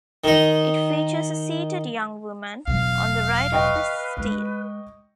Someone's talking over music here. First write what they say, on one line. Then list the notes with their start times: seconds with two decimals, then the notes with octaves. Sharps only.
It features a seated young woman on the right of the stele.
0.24 D#3 D#4
2.68 E1 F#3 F5
3.52 B4 D#5 G5 C#6
4.17 G#3